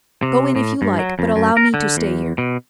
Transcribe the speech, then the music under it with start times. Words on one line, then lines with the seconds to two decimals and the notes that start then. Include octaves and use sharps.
"Go in, if you like, but allow me to stay here."
0.23 C3
0.56 A2
0.82 G2
0.99 F#3
1.19 F2
1.36 F#2
1.57 A#4
1.74 D3
1.97 E2
2.38 B2